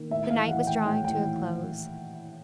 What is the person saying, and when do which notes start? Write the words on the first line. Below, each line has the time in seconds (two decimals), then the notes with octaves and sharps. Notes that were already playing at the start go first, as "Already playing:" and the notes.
The night was drawing to a close.
Already playing: D#3 A#3
0.10 A2 E5
0.30 F5
0.36 E3
0.49 F#5
0.60 A2
0.67 G5
0.85 A2 G5
1.04 E3 G5